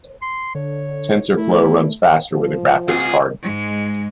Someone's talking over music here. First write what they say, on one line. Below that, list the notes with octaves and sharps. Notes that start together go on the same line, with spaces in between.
Tensorflow runs faster with a graphics card.
C6
D3 C#5
A3 E4
F3
C#2 C4 F4 F#4 G#4
G#2 G#3